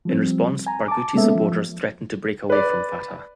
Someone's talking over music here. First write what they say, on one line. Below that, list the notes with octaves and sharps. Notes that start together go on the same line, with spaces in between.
In response, Barghouti's supporters threatened to break away from Fatah.
F3 G3 C4
G#5 A#5
A5 D6
G#3 A#3 B3 C#4 A4 E5
F3
B4 D5